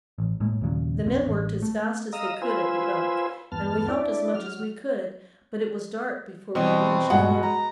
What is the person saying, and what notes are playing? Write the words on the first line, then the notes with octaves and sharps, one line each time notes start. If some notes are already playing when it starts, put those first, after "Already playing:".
The men worked as fast as they could at the elk, and we helped as much as we could, but it was dark before we reached camp.
A1
A2 G#3 A#3
D#2 A#2 C#3 F#3
B1 F2 C4
A1
A3
D#5 F5 A#5 D#6 E6
F4 B4 C5 G#5 E6
E2 G2 B3 A5 F6
D4 E4 D5
F#3 F6
B2 E3 G3 C4 E4
G2 A#2 G#3 A3 F#4 F#5
D#5 A#5